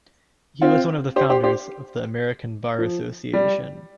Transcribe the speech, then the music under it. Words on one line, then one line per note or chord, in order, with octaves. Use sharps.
He was one of the founders of the American Bar Association.
C4 F4
G4 C5
G4 C5
G4 C5
F3
G3